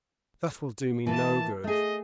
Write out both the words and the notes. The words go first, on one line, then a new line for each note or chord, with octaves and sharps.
"That will do me no good."
E3 A#3 B4 A5
A3 G#4 D#5